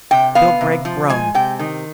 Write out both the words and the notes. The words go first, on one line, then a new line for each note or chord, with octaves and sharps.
Bill Gregg groaned.
C3 G5
B3 F5
C3
F3
G#3 G#5
C3 G5
D#3